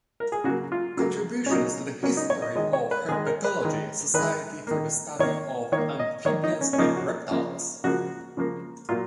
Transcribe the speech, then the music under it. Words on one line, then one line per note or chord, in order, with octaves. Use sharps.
Contributions to the History of Herpetology, Society for the Study of Amphibians and Reptiles.
A#4
G#4
C#3 F#3 A#3 F#4
F4
C#3 F#3 A#3
C#4
C#3 F#3 A#3 D#4
C#3 F#3 A#3 C#4
D#4
C#5
D#5
D#3 G#3 D#5
C#5
B4
D#3 G#3 G#4
A#4
B4
D#3 G#3
D#3 G#3 B4
D#3 A#3
D#3 A#3 C#5
D#3 C#5
A#3
D#5
D#3 A#3 C#5
D#4
C#4
C#4
C#3 F3 A#3 D#4
F#4
C#3 F3 A#3
C#3 F3 A#3 F#4
C#3 F3 A#3
A#2 F#3 A#3 F4